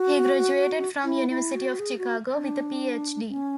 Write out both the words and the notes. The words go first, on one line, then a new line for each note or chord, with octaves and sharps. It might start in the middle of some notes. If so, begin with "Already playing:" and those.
He graduated from University of Chicago, with a PhD.
Already playing: F#4
E4
E4
F#4
G#4
F#4
D4
C#4